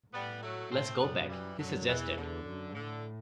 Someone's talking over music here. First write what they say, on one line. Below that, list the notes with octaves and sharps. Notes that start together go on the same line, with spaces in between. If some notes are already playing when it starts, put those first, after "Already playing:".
"Let's go back," he suggested.
A2 G3 B3
F#3 A3
A2 A3 C4
F#2 G3 B3
E3 G3
F#2 D3 F#3
E2 E3
D3
F#2
A2 D3